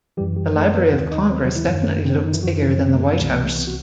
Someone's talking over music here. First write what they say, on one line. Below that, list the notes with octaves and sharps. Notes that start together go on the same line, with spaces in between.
The Library of Congress definitely looks bigger than the White House!
F#2 E3 G3 G4
G3 G4
A3 A4
B3 B4
D#2 D#3 C4 C5
D#4 D#5
C4 C5
F#3 F#4
E3 E4
F#2 D#3
C3 C4
B3
D#3 D#4
E3 E4
F#2 D#3 F#3 F#4
E3 E4
C3 C4
A3
B3
C2 C3 E3 A3
A3
A3
B3
F#4